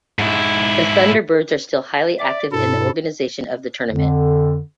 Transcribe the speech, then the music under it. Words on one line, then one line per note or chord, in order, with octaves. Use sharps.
The Thunderbirds are still highly active in the organization of the tournament.
G#2 E4
D5 E5 D6
G2 B2 E4 A4
F2 D3